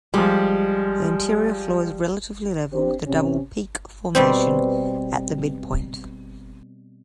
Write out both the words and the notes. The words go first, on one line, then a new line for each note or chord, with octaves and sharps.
The interior floor is relatively level, with a double-peak formation at the midpoint.
F3 G3 G#3 G4
C4 D4 G4 C5
C3 C#4
B2 G3 C4